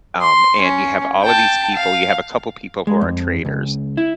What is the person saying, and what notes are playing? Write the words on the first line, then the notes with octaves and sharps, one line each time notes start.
um, and you have all of these people, you have a couple people who are traitors,
C6
C#4
G5 A5
F5
G#3
F2
C#2
E4